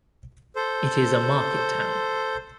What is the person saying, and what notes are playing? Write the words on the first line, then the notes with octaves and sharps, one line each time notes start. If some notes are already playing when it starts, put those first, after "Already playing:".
It is a market town.
A4 C5